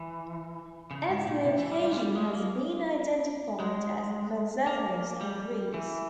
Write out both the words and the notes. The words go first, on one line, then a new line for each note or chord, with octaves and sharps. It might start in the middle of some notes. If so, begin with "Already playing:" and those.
Its location has been identified as Mezapos in Greece.
Already playing: E3
C#3
G#2
A#2
C3
E3
G3
G3
G#3
G3
G#3
A#3
G#3
A#3
G3
E3